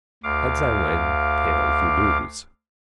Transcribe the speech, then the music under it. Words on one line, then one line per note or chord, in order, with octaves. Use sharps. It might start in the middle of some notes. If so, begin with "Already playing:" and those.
Heads I win tails you lose.
D2 F5 D6